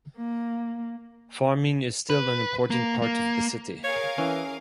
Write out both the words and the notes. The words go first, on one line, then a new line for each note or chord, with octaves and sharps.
Farming is still an important part of the city.
A#3
B4
A#3
A#3
G#4 A#4 C#5 F5
E3 C#4